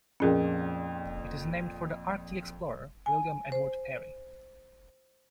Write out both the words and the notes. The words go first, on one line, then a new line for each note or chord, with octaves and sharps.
It is named for the Arctic explorer William Edward Parry.
A#1 F2 A#2 C#4 G#4 A#4
G#5
C5